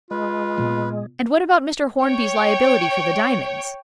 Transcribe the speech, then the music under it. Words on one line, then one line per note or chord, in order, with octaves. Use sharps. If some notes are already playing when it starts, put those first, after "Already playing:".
"And what about Mr. Hornby's liability for the diamonds?"
G#3 F4 B4
A#2 B3
C#5 G5